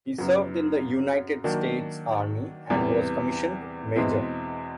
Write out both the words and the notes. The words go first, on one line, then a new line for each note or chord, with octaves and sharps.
He served in the United States Army and was commissioned major.
F#2 C#3 F#3 B3
D#3 F#3 A#3 D4
E2 C3 E3 G3 B3
E2 B2 G#3 C4 E4